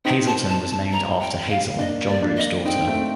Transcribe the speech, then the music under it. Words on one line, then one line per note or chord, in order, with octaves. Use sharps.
Hazelton was named after Hazel, John Roop's daughter.
C4 D#4 G5
A5
A5
A5
A#5
G5
F5
A#3 D4 D#5
D5
A#3 D4
D#5
C4 D#4 G5
A3 C4